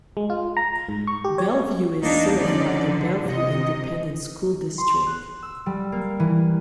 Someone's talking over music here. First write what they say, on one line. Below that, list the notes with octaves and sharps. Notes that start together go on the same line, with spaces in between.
Bellevue is served by the Bellevue Independent School District.
G#3
F4
A#5
G#2
C#6
G4
C#5
E2 A#3 D4 D#4
D3 F3 C#4 D#4 D5
D3 F3
C3 D#5
C6
F#6
E6
G3
A#3
E3